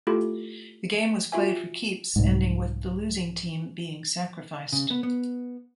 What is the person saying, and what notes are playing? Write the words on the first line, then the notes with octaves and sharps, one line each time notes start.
The game was 'played for keeps' ending with the losing team being sacrificed.
A3 E4 F4 G4 A4
F4 F#4 E5 G#5
C2 G#2
C#3
B3
B3